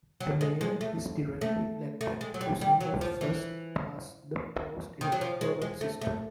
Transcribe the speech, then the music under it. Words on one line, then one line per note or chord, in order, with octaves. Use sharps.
The Mayor is directly elected using a first-past-the-post electoral system.
F#3
G#3
G#3
A3
A3
A3
G#3
F#3
G3
G3
F#3
F3
E3
D#3
F#3
F3
G#3
G#3
A3
A3